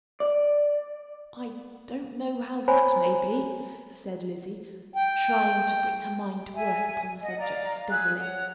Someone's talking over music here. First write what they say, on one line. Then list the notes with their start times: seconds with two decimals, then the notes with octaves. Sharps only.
"I don't know how that may be," said Lizzie, trying to bring her mind to work upon the subject steadily.
0.20 D5
2.68 C5 C#5 G#5 A#5 B5
4.96 G5
6.54 E5 G#5
7.22 D#5 F#5
7.39 D5 F5 A#5
7.89 G#4 E6 F#6
8.17 C#5 F#5